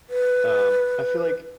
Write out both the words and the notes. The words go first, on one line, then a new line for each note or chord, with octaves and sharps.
Um, I feel like
B4